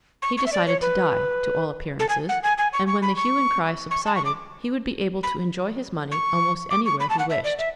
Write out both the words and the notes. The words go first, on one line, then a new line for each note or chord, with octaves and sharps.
He decided to die, to all appearances, and when the hue and cry subsided, he would be able to enjoy his money almost anywhere he wished.
C#6
C#6
E5
D5
C#5
B4
A4
G#5
F#5
G#5
G#5
C#6
C#6
B5
C#6
C#6
A5
C#6
D6
B5
C#6
D6
C#6
B5
A5
F#5
E5
D5
E5